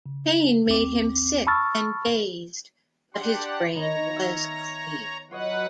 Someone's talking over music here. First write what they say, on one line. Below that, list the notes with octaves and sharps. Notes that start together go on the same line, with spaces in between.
Pain made him sick and dazed, but his brain was clear.
C#3
G#1 D#2 C4 D6
A5 B5 C#6 E6 F6 A6
D4 G4 F#5 C6
D#3 B3 D#4 C#5 A#5
E5 E6 F6
F#3 F4 B4 C#5 D#5 F#5